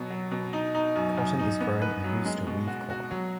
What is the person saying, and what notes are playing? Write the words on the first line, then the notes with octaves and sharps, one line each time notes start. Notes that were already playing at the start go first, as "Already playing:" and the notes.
Cotton is grown and used to weave cloth.
Already playing: B2 F#3 B3
F#3
B2
D#4
D#4
F#2
F#2
D#4
B3
B4
F#3
G#3
B2
F#4
F#4
F#3